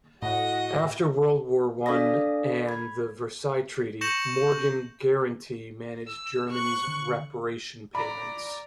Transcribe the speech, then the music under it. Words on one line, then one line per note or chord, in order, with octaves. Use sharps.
After World War One and the Versailles Treaty, Morgan Guaranty managed Germany's reparation payments.
A2 F#4 D#5 F#5
D4 A4 D5 F5 D#6 A#6
B5 G#6
C#6 G6 A#6 C#7 E7 F#7
E6
C#6 F#6
D3
D5 A#5 B5